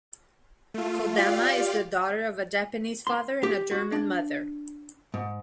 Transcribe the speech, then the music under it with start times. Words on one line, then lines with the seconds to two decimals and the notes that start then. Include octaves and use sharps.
Kodama is the daughter of a Japanese father and a German mother.
0.74 A3 F4
1.15 F4 G4 D5 F5
3.07 C6
3.43 G4
3.71 F#4
3.92 D4
5.14 G#2